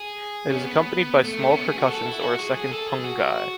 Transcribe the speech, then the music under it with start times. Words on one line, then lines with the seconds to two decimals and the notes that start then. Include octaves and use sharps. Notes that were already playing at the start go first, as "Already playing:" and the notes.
It is accompanied by small percussions or a second pungi.
Already playing: G#4
0.50 C#4
0.58 B3
1.24 A3
1.50 C#4
1.57 B3
1.67 G#4
1.78 F#4
1.89 A4
2.06 E4
2.22 F#4
2.39 G#4
2.54 G#4
2.71 A4
2.88 G#4
3.00 G#4
3.04 F#4